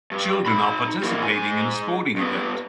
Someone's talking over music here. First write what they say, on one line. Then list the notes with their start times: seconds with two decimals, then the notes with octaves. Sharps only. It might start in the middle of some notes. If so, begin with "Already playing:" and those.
Children are participating in a sporting event.
0.11 G2
0.46 D#4 B5
1.03 E3 A#3
1.23 G#2 G#5
2.16 G2 B3